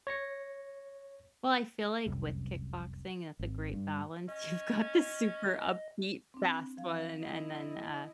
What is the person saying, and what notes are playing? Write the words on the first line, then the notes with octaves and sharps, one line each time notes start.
Well, I feel like with kickboxing, that's a great balance. You've got the super upbeat fast one, and then, uh,
C#5 A#6 C#7
F1 C2 F#2
G#1
G2
C#4 D#5
C4 D4
F3 F5
E4 D#5